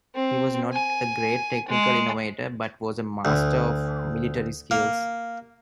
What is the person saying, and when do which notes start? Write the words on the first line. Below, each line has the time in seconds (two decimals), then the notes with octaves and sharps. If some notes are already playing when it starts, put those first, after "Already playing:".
He was not a great technical innovator, but was a master of military skills.
0.15 C4
0.73 G#5
1.68 G#3
3.25 D2
4.71 A#3